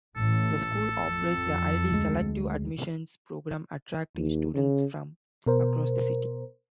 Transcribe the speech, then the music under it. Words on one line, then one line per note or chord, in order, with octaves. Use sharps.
The school operates a highly selective admissions program attracting students from across the city.
A1 A2 A4
F2
D2 G#3
D#2
C#3
B2 A#4 C5